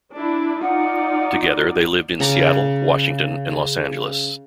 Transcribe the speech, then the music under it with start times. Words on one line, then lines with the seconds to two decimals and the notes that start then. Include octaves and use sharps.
Together, they lived in Seattle, Washington and Los Angeles.
0.14 D4 E4
0.62 D#4 F4 D5 F#5
2.20 C#3 A#5 D6